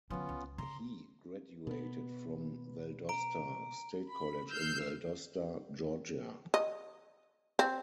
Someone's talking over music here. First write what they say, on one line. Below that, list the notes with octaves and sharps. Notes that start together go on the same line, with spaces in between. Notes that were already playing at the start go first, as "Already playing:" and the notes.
He graduated from Valdosta State College in Valdosta, Georgia.
D3 F#3 B3 C#4 F4
C#2
C#3 A#5 C6
B2 B3
A#5 D7
B5
E6 F6 G6 C7
D#5
C4